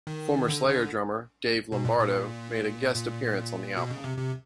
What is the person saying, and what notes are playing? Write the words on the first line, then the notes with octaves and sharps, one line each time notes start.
Former Slayer drummer Dave Lombardo made a guest appearance on the album.
D#3
D3
D3
B2
A#2
A#2
A#2
B2
C#3
C3
C3